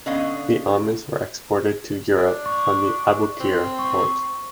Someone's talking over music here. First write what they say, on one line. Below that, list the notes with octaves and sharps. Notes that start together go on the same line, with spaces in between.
The almonds were exported to Europe from the Aboukir port.
D3 B3 C#4 D#5 F5
D4
C#6
C4
C#6